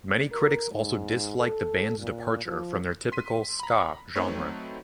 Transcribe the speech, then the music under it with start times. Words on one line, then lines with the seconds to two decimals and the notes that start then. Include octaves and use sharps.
Many critics also disliked the band's departure from their typical ska genre.
0.32 A#4
0.73 G#2
1.37 A4
1.99 A#2
2.45 F3
3.12 C6 B6 D#7
3.60 A#5 B5
4.16 F#3 A3 C4 D#4 B4 C#5